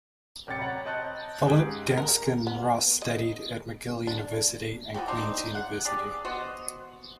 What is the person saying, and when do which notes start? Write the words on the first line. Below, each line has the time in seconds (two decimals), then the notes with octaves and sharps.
Philip Dansken Ross studied at McGill University and Queen's University.
0.47 D1 C3 C#4 G5 A6 C#7
0.59 C#5 F#5 A#5 B5
0.85 C4 D#5 A5 F#6 G6
1.46 C#2 G#2 G4 G#4 D7
1.97 A#4
2.47 B3
3.02 D#5
4.07 D4
4.94 E3 F3 F#4 G5
5.08 C4 D4 D#4
5.55 F#5
5.85 D4 G4 G#4 D5
6.25 B3 F#4 C5 D#5